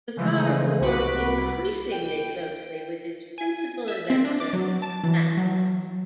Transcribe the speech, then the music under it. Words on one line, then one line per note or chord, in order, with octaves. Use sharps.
The firm worked increasingly closely with its principal investor Matra.
C#3 E3 F3 G#3 A3
C2 C3 F#4 B4 B5 D6
G5
G#5
E5
C4
D4
D6
F#3
A5
E3
F#3